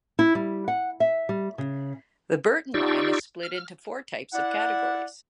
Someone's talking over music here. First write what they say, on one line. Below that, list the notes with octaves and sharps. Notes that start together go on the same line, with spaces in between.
The Burton line is split into Four types of categories.
E4
G3
F#5
E5
G3
C#3
D#4 F4 G4 D5 C#6 E6
F6
E4 D5 F#5